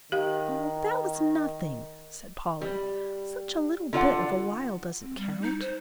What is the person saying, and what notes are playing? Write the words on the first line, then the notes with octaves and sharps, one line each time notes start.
"Oh, that was nothing," said Polly, "such a little bit of a while doesn't count."
D#3 G4 F5
G3
D3 F4 D5 F#5
C4
G3
D#4
C5